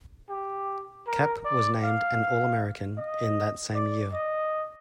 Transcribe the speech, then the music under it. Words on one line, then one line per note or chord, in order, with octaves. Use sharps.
Kapp was named an All-American in that same year.
G4
A#4
D5
F5
D#5
D5
D#5